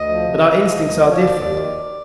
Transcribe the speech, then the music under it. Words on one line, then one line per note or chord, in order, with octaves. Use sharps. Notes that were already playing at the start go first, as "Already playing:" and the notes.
But our instincts are different.
Already playing: D2 D#5
F3
C3
F3
F3
D2
F3
F3
C#5
D#2 D5
D#2
D#3
D#2